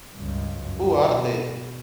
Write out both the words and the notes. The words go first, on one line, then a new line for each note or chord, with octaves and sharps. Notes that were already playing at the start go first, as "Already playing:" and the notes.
Who are they?
C#2 G2
F#2
B2